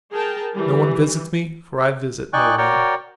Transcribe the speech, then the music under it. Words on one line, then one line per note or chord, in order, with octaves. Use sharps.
No one visits me, for I visit no one.
G#4 A#4 G5 A5
E3 G3
D#4 D5 G5 G#5 C#6 F#6
F#4 A#4 C#5 D5 G5